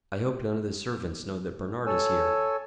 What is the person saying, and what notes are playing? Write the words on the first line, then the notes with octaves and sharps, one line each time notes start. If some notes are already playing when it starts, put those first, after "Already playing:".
"I hope none of the servants know that Bernard is here?"
A4 C#5 G#5 E6